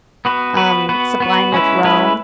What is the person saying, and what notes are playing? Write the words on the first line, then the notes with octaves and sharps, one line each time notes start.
um, Sublime with Rome,
B3 F#4 B4
B3 F#4 B4
B3 F#4 B4
B3 F#4 B4
G#3 C#4 E4 B4
G#3 C#4 E4 B4